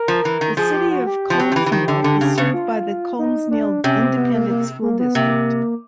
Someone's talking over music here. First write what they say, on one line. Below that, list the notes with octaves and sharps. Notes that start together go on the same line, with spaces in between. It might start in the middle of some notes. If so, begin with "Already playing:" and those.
The City of Colmesneil is served by the Colmesneil Independent School District.
Already playing: A#4
F3
E3
D#3
F3 G#4
G4
F#4
G4
F3
F#3
F3
E3
E3
D#3
D3
D3
C#3
C#3
F4
D#4
D4
C3 C#4
C4
B3
A#3
A#3
A#3
B3
C3 A#3